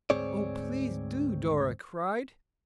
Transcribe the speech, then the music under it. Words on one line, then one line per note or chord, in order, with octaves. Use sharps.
"Oh, please do," Dora cried.
D2 G#2 C4 G#4 C#5 D5